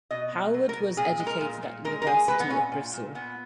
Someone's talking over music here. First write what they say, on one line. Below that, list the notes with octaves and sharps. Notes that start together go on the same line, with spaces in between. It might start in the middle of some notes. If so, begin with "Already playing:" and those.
Howard was educated at the University of Bristol.
B2 D#5
B2
F#3
A#4
B2
A#2 G#4
G#3
A#4
A#2
A#2
G#3 A#4
A#4
G#3 G#4
G#3 B4
B3
A#2 C#4
A#2
A#2
A#2 B3